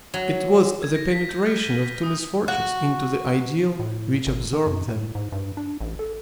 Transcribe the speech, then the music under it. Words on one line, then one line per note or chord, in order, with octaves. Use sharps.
It was the penetration of two misfortunes into the ideal which absorbed them.
F#3
G#6
A#6
B6
G6
F6
D#7
B6
D#6
F#4
A2
G#1
D#3
F#2
A2
G#2
G2
D4
A1
A4